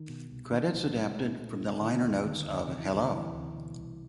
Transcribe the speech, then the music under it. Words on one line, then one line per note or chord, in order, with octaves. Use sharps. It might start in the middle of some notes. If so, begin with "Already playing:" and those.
Credits adapted from the liner notes of "Hello".
Already playing: D#3
B2
C2
B2 D#3
C2 E3
F3
A#2 F#3
G#3
C2
B3
A#2 A3
C2
D3 D#3
D#2
D3 D#3
D#2
C3 D#3
E3
D2 D#3
D#3
C3 E3
D2
B2
C2